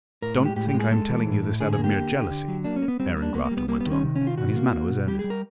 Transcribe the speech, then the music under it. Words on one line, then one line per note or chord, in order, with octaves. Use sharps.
"Don't think I am telling you this out of mere jealousy," Aaron Grafton went on, and his manner was earnest.
A2 A#4
G#3
G4
A2 G4
G4
G#3
G#4
G#3 A4
E3
A2
A2
D3 G#4
G#4
A#3
G4
D3
D3
D3
F#3
A#3 D4
C#4
A#3
B3
G3 C4
A#3
D4
A#3 B3
A#3
G3
B3
G3 A#3
B3
D#3
C#4
C3
C#4
D#3
F4
B2 F#4
A#3
A#3
B2
G3 G4
G#4
G3
A#4